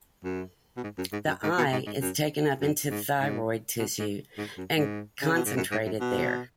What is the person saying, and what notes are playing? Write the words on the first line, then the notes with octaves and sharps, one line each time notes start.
The I is taken up into thyroid tissue and concentrated there.
F#2
B2
G#2
F#2
G#2
F#2
G#2
B2
G#2
G#2
F#2
F#2
G#2
G#2
B2
G#2
G#2
F#2
G#2
C#3
B2
G#2
F#2
G#2
F#2
B2